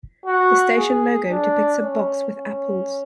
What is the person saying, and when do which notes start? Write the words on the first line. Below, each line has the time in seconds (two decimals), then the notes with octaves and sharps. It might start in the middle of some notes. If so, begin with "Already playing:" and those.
The station logo depicts a box with apples.
0.26 F#4
0.78 G#4
1.29 D4
1.81 C#4
2.32 C#4